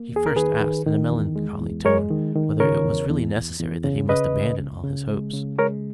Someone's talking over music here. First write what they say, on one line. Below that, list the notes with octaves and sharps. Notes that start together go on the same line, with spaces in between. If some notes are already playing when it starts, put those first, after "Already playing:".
He first asked, in a melancholy tone, whether it was really necessary that he must abandon all his hopes.
Already playing: A#3
D#2 G#4
A#4
D#3 G#4 B4
D#3
D#3
E2
G#3
E2
G#3 A#4 C#5
D#3
D#3
C#3 A#4 C#5
E2
E2
E2
E2
C#3
C#3 B4 D#5
C#2
C#2
C#3
G#3
C#3
G#3 A#4 C#5